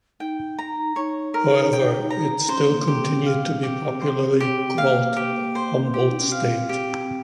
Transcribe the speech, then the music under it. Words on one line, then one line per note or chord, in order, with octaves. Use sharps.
However, it still continued to be popularly called Humboldt State.
D#4 G5
A#5
D#4 C#5
A#4
G5
A#5
C#4 C5
A#3
A#3 G4
C4
F5
G4
C5
G4
A#3 F5
G4
C5
G4
F4
D#4
C#4
C4 F5
G4